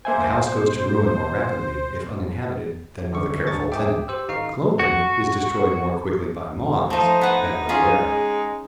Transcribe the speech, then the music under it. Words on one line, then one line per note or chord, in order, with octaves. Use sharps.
A house goes to ruin more rapidly if uninhabited than with a careful tenant; clothing is destroyed more quickly by moths than by wear.
A#3 C5 E5 G#5
B2
F#2 D3 G3 C#6
C2 G#2 D4 C#6 A6
G2 G#4 E5 G5 D6
G4 C5 E6
G#1 D#4 F5 C#6 C7
F#4
F3 A3 D#4 C5
B3 F#5
C#4 F4 G#4
G#3